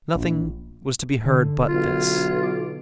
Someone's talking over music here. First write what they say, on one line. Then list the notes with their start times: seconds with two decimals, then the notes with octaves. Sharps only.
Nothing was to be heard but this.
0.15 A#1
1.24 D3
1.68 B1 F4
2.43 D6